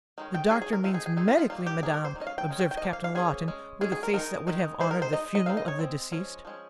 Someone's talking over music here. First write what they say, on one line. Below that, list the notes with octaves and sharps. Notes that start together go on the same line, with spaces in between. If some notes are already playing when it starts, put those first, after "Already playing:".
"The doctor means medically, madam," observed Captain Lawton, with a face that would have honored the funeral of the deceased.
D#3 G#3 C#4
G5
D#3 G#3 C#4 G#4
G#4
A#4
D#3 G#3 C4 D#4 F4
G#4
G#4
D#3 G#3 C4 D#4 G#4
F4
F4
D#3 G3 A#3 F4
G4
D#3 G3 A#3 G#4
A#4
C5
D#3
G#3 C#4 D#5
F5
G5
D#3 G#3 C#4
G5
G5
D#5
F3 A#3
F5
F5
F3 A#3 C#4 G#4
G#3 C#4
G#3 C#4 G#4
G#4
A#4
D#3 G#3 D#4 A#4
D#3 G#3 D#4
G#3 D#4 C5
A#4
C5
G#3 D#4 D#5
D#5
G#3 C4 D#4 F5
D#5
C#5
G#3 C4
F3 G#3 C#4
F3 G#3 C#4